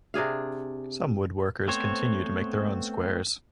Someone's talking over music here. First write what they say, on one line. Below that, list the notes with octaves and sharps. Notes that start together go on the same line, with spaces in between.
Some woodworkers continue to make their own squares.
C3 D4 G#4 F5
A3 B3 C4 C5 C#5